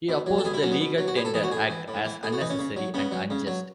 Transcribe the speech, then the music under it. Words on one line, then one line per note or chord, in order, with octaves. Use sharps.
He opposed the Legal Tender Act as unnecessary and unjust.
B2
F#3
A4
B2 G#4
E4
F#3 C#4
B3
B2
F#3
F#4
A2 G#4
A4
E3 G#4
F#4
A2 G#4
E3
A2
E3
A2 G#4
F#4
E3 D#4
C#4
C#3
F#3
C#3 B3
F#3
C#3
F#3